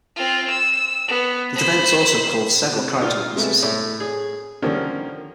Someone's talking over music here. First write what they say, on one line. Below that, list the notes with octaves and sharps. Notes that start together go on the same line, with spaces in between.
The defense also called several character witnesses.
C4 F4
E6
B3
C5 B5
C3
A#2 F4
C3 G#3 A3 B3
A2 A3
G#4
D3 D#3 F3 G3 A#3 C#4